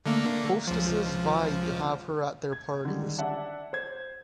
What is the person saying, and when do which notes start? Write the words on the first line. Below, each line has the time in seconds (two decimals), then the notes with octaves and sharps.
Hostesses vied to have her at their parties.
0.06 D3 A3 A#3
0.67 C#2 F3
2.52 G#6
2.85 D3 D#3 G3 G#3
3.18 D4 E5 F#5 A5
3.73 C5 G#6